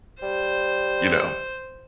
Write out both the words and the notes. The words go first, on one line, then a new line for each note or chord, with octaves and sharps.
you know,
G3 C5